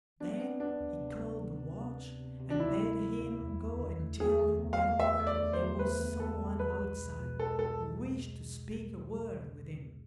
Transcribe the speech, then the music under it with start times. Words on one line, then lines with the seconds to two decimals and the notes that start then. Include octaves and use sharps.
Then he called the watch, and bade him go and tell the Devil there was some one outside who wished to speak a word with him.
0.20 B3 D4
0.40 B3
0.60 B3 D4
0.80 D2
1.00 C3
1.20 D2
1.40 C3
1.60 C3
1.80 C3
2.00 C3
2.20 C3
2.40 C3
2.50 D4
2.60 D2 E4
2.80 D2
3.00 G#3
3.20 D2
3.40 E2
3.60 E2
3.80 D3
4.00 A3
4.20 E2 G#4
4.39 A3
4.59 E2
4.73 F5
4.79 E2
4.99 E2 E5
5.20 A3
5.27 D5
5.40 D3
5.53 C5
5.60 E2
5.79 E2 B4
5.99 E2
6.19 E2 A4
6.40 E2
6.59 G#3 B4
6.80 C2
6.99 B2
7.19 B2
7.40 G#3 A4
7.59 G#3 A4